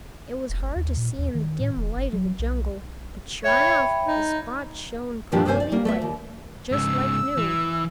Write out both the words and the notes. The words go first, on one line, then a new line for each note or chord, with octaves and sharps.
It was hard to see in the dim light of the jungle, but sure enough, the spot shone pearly white, just like new.
E1
G1
D#2
A#2
D#2
D#3
A2
E1
G1
F#3
B1
C#5 E5 G5 B5
D#4
G2 A#2 D#3 F3 D4 G4
G2 C3 A#3 C4 C5 G#5
D5
G3 A#3
A3 B3 E5
D#2
G#2 C#3 E6
E3